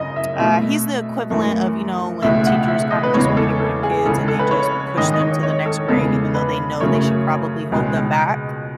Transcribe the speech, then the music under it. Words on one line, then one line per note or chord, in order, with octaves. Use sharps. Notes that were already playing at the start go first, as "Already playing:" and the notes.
ah, he's the equivalent of, you know, when teachers kinda just wanna get rid of kids and they just push them to the next grade, even though they know they should probably hold them back.
Already playing: F#2 C#3 D#5
E5
B2 A3 E5
F#2 E3 A3
C#2 B2 A3 E5
F#5
E5
D#5
B4
E2 C#3 G#3 B3 C#5
A4
A4
G#4
C#2 C#3 G#3 A4
A4
B4
C#5
G#2 D#3 G#3 D#5
D#5
C#5
C#5
A4
E2 C#3 G#3 B3 A4
B4
F#2 C#3 F#3 A3 C#5
C#2 B2 G#3